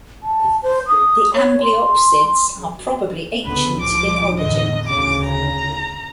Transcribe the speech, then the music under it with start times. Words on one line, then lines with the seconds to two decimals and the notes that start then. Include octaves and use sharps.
The amblyopsids are probably ancient in origin.
0.22 A5
0.62 C5
0.87 D#6
1.34 C#5
1.61 C6
3.46 C#2 D3 B3 B4
3.80 A#2 F3 D6
4.38 E2 A2 D3 D#5
4.87 D2 C#3 D6
5.25 A#5